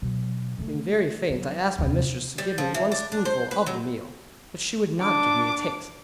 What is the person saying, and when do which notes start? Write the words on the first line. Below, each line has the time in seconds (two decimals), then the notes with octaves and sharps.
Being very faint I asked my mistress to give me one spoonful of the meal, but she would not give me a taste.
0.02 B2 F#3
0.58 D3 A3
1.30 F#3
1.79 D#2 C3
2.38 G3
2.58 F3
2.74 E3
2.92 D4
3.12 D4
3.25 C5
3.51 B4
3.66 F#3
5.00 D4 D6